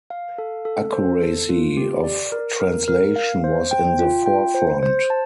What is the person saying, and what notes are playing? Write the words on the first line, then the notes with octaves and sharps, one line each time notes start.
Accuracy of translation was in the forefront.
F5
A4
A4
C5
A4
F4
G4
D5
A#4
A#4
A#4
F5
C5
G5
F4
G5
C5
C5
A5